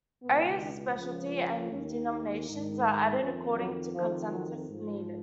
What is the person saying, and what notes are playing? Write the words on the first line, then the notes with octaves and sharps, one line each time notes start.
Areas of specialty and denominations are added according to consensus, as needed.
C#2 B2 B3
C#2 C#3 F3
C#4
D#2 D#3 C#4
D#4
G#2 D#3 D#4
F2 D#3 C#4
F#3
F2 D#3 F3
F#3
G#2 F3